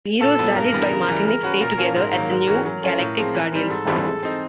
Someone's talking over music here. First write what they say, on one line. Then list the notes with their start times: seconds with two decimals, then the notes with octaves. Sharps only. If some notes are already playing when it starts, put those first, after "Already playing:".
The heroes, rallied by Martinex, stay together as the new Galactic Guardians.
0.21 A#2 A4
0.38 F#3 B3 E4
0.55 G2 A#4
0.73 E3 G3 B3 D4
0.90 C#3
1.08 E3 G3
1.25 G#3 A#4
1.43 C#4 F#4 B4
1.60 A#2 A#4
1.78 F3 A#3 C#4
1.95 G#2 A#4
2.12 D#3 F#3 A#3
2.30 G#2
2.48 E3 G#3 C#4 F#4
2.65 F#3 A#4
2.82 A3 C#4 F4
2.99 A2
3.18 F3 G#3 C4
3.35 E3
3.52 G3 C4
3.69 G#2 A4
3.87 E3 G3 C4 E4
4.04 G#3
4.23 C4 D#4